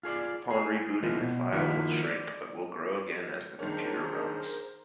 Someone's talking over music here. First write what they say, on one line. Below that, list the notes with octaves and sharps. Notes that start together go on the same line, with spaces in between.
Upon rebooting the file will shrink but will grow again as the computer runs.
F4 G#4 C#5 D5
G#4
E3 F3 G#3 C4
B2
D#3 F3 A#3 E4 F#4
D5
B1 D#3 D4 G#4 A#4 C5 C#5